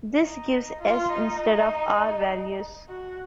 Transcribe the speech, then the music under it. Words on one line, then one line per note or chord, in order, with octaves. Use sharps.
This gives S instead of R values.
D#4
F4
D#4
F#4